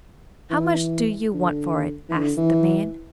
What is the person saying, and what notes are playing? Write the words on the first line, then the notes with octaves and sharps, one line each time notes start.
"How much do you want for it?" asked the man.
E3
D3
E3
D3
E3